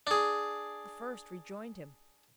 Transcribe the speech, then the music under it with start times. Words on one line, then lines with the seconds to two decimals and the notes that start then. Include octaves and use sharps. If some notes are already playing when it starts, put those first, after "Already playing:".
The first rejoined him.
0.07 D4 G#4